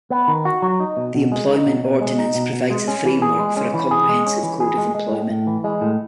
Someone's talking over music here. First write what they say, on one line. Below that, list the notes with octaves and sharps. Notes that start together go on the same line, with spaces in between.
The Employment Ordinance provides the framework for a comprehensive code of employment.
B3
D#3
F#4
F#3
D#4
B2
B2
G#3
D#4
B2
B2
G#3
D#4
B2
B2
G#3
C#4
E3
G#4
G#3
C#4
E3
G#4
G#3
C#4
E3
G#4
G#3
G#3
A2
A2
E3
G#3
A2